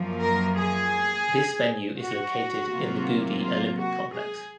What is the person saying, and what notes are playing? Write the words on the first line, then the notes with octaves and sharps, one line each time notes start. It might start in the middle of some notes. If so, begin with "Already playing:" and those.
This venue is located in the Goudi Olympic Complex.
Already playing: F#2 F3 A#3
A#4
G#4
F#4
C3 F#3 A#3 F4
F4
F#4
G#4